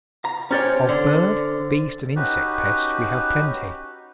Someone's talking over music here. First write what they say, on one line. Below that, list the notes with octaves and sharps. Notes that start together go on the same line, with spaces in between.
Of bird, beast, and insect pests we have plenty.
A#5
C#4 G4 C5 C#5 F6 A6
D3
C#4 D#4 F#4 G4 B4